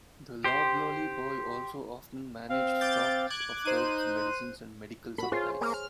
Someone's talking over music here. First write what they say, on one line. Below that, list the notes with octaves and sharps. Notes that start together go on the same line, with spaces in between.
The loblolly boy also often managed stocks of herbs, medicines and medical supplies.
G4 C5
C4 F5
D6 G6 A6
D6 F#6 G#6
D#4 C5 F#6 D#7
F#4 A4 B5
F4 G#4 C5 C#5
A#3
F6